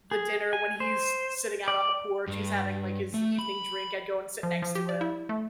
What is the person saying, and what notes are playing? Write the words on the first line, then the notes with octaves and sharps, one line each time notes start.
the dinner, when he's sitting out on the porch, he's having like his evening drink, I'd go and sit next to him.
G#4
G#5
C5
D5
G2
A3
B5
F3
F3
G4
D5
E4
A3